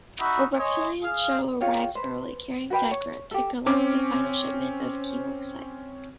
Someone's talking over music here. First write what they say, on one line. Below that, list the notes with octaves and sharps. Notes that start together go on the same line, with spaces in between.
A Reptilian shuttle arrives early, carrying Degra, to collect the final shipment of kemocite.
D#4 F#4 E5 B5
C#5 D#5 G#5 C6
G#4 F5
F4 G#4 C#5 G5
B4 C5
F#4 A#4 B4 G5
C#5
G4 A4
C4 C#4 D6